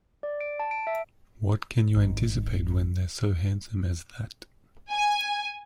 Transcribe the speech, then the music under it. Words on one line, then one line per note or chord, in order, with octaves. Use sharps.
What can you anticipate when they're so handsome as that?
D5
D7
A5
D7
E5
G#1 G#2
G#5